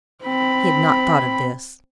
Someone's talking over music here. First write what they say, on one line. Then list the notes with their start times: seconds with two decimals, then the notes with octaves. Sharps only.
He had not thought of this.
0.24 C4 B5